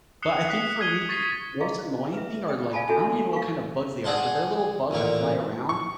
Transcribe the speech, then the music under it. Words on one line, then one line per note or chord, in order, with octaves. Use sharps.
but I think for me, th the most annoying thing are like I don't even know what kind of bugs they are, but they're little bugs that fly around
D#6 F#6 C7 C#7 E7 G7
D#6 F#6 B6 C#7
D#6 F#6 G#6 D#7 G7
C#6 A6 B6 C7
E4 G#4 D5 D#5 F5
B4 E5
G5 D#6
D5 F5 G#5 A5 B5
D4 E4 F#4 A4 E5 G#5
F5 C#6
D4 G#4 F#5 A5 C6
A1 A#2 D3 C#6
C#6